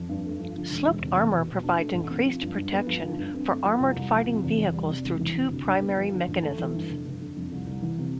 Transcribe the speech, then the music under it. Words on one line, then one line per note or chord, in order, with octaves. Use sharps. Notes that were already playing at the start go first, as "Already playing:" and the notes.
Sloped armour provides increased protection for armoured fighting vehicles through two primary mechanisms.
Already playing: F2
G2
A3
F3
D3
E1
E1
C3
E2
B2
B2
D4
A3
A1
C4
F3
G2
G2
B3
F3
D3
G2
C4
A3
F3
C2
C2
F3
C3
E2
E2
G3
C3
E1
E3
C3
D2
G2
B3
F3
D3
A1
A3
E3
G2
F1
F1
D3
F2
C2
C2
E3
C3